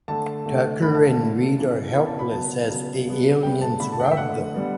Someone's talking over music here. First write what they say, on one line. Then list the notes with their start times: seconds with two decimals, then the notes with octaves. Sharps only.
Tucker and Reed are helpless as the aliens rob them.
0.08 D3 A3 A5
0.46 D3 A3
0.82 D3 A3 B5
0.95 A5
1.07 A5
1.19 D3 A3
1.56 C#3 E3 B3
1.94 C#3 E3 B3 B5
2.07 A5
2.19 B5
2.31 C#3 F#3 B3 A5
2.68 C#3 F#3 B3
3.06 C#3 G3 B3
3.42 C#3 G3 B3 G5
3.61 A5
3.80 D3 A3 B5
3.92 A5
4.00 F#5
4.05 G5
4.11 E5
4.17 D3 A3 F#5
4.54 D3 G3 B3